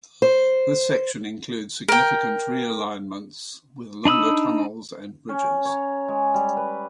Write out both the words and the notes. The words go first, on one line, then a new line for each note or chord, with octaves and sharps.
This section includes significant re-alignments with longer tunnels and bridges.
C5
A#4 G5
D4 D#4 B5 D#6 E6
C#4
C#5 A#5
G#3
G3
B4